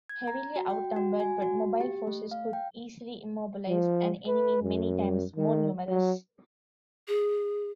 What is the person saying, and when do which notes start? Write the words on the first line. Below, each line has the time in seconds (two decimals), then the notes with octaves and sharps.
Heavily outnumbered but mobile forces could easily immobilize an enemy many times more numerous.
0.09 G#6
0.28 A#5
0.56 F#4
0.70 G5
0.96 F#4
1.20 G#5
1.42 F#4
1.81 G4
2.07 A3
2.31 F5
2.53 G5
3.68 F3
4.28 B4
4.62 F#2
5.36 D#3
5.89 F#3
7.08 G#4